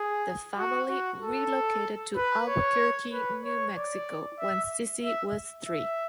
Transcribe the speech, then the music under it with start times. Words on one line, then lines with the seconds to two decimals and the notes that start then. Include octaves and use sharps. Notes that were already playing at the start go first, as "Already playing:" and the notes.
The family relocated to Albuquerque, New Mexico when Cissy was three.
Already playing: G#4
0.57 F#4
0.89 F#4
1.21 A4
2.17 B4
2.48 C#5
3.12 B4
3.44 C#5
3.76 D5
4.40 E5
5.04 E5
5.67 E5